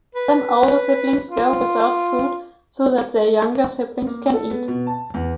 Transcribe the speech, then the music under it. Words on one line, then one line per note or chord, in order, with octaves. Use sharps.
Some older siblings go without food so that their younger siblings can eat.
B4
F4
A#3
A4
B3
B2
A5
E2